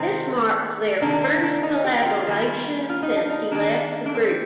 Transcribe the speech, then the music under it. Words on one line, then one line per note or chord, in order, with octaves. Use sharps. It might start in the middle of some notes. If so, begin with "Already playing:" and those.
This marks their first collaboration since he left the group.
Already playing: C3 D#3 G#3 C4
C3 D#3 A#3 D4
D4
D4
D#4
G4
F4
D#3 G3 A#3
F4
D#4
D4
D#4
D#3 A#3 D4
D4
C4